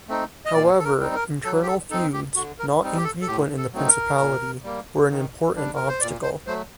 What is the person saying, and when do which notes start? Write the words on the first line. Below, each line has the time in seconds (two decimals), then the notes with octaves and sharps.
However, internal feuds, not infrequent in the principality, were an important obstacle.
0.08 A3 C4 D#4
0.45 D#5
0.54 A#2 D5
0.79 A4
0.84 A#4
0.99 G3 C4 D#4
1.15 A#4
1.45 F#3 A4
1.63 G4
1.68 A4
1.90 C4 D#4 A4
2.13 G4
2.36 D3 F#4
2.59 A#4
2.82 G3 C4 D#4
2.97 G4
3.04 A4
3.22 A4
3.27 A2 G4
3.58 A4
3.73 F#3 A3 C4 D#4
3.87 A#4
4.19 A#2
4.64 G3 A#3
5.10 D#3
5.55 G3 D4
5.75 A#4
5.88 C5
6.00 A#2 D5
6.23 C5
6.47 F#3 A3 C5